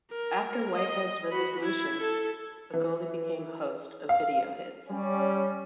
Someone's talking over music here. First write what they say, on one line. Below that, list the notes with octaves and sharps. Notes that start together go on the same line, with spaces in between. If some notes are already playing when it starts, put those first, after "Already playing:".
After Whitehead's resignation, Agolley became host of "Video Hits".
A#4
D#5
F#4 B5
E4 G#6
A4
E3
F5
G3 C#4